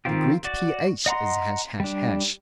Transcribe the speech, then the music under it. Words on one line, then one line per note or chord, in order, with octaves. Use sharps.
The Greek ph is ### .
D#3 C4 F4 G4
F#4 D5
D#5 F#5 A#5 C6
G3 D4